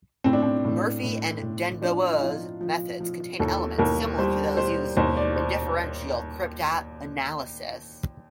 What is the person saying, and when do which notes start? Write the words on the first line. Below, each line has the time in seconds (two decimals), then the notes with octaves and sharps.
Murphy and den Boer's methods contain elements similar to those used in differential cryptanalysis.
0.24 A2 C4
0.33 D4
0.42 C4
0.65 A2
1.03 A2
1.42 A2
1.82 F3 D4
2.16 D#4
2.22 F3 F4
2.61 F3
3.00 F3
3.40 D#2 A4
3.78 D#2 A#4
4.18 G3 C5
4.57 G3 C5
4.97 D#2 C5
5.17 D5
5.36 C5